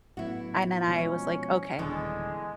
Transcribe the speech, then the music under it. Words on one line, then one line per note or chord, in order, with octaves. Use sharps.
I And then I was like, "Okay,
A2 F#3 B3 E4 F#4
B2 F3 G#3 C#4
D#1 B2 D3 E3 G#3